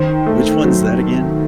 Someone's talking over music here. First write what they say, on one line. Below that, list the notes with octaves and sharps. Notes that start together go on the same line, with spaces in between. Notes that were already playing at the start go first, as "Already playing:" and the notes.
Which one's that again?
Already playing: D#3 C5
A3
F#3